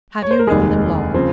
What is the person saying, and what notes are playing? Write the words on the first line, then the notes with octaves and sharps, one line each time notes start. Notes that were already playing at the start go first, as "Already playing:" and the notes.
"Have you known them long?"
C#5
C5
A#4
F1 D#2 D#3 G#3 G#4
C#3 F3 C4